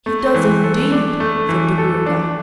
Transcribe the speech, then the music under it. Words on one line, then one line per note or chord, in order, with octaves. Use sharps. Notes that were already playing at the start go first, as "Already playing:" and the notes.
"He does indeed," said the Gruagach.
A3
E3
A4
D4
A3
E3
A4
D4